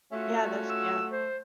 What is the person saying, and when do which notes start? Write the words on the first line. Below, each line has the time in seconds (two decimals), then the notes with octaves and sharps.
Yeah, that's yeah.
0.12 A3 C#4 F4 F#4 E5
0.70 E6
1.11 C5